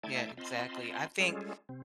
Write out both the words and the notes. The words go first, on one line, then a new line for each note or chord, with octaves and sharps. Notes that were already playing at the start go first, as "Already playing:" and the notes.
Yeah, exactly. I think
A3 E4 D5 G5 A5 G#6
C4 F4 D#5 A5 B5 C6
G3 G#3 C#4 F4 G#4 A4
C3 C4